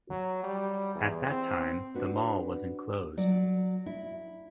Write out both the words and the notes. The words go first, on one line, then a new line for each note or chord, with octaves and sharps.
At that time, the mall was enclosed.
F#3
G3
E2
C4
D4 F#4 B4
F#3 D5
E4